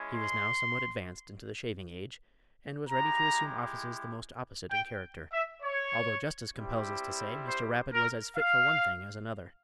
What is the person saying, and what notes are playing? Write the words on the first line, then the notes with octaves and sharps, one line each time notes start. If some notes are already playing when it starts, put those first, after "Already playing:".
He was now somewhat advanced into the shaving age, and was ready to assume offices the most opposite in character; although justice compels us to say Mr. Rapid was as fit for one thing as another.
Already playing: G#3 C#4 E4
C6
G#3 E4 G4 A#5
G5
E5
C#5
G3 C4 E4 G4
C5
A#4
F5